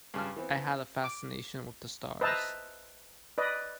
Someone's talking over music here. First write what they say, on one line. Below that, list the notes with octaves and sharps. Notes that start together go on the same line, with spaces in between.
I had a fascination with the stars.
G2 C#3 A5 F6
E3 B3 C4
D6
B4 C5 D#5 E5 A5 A#5
B4 D5 D#5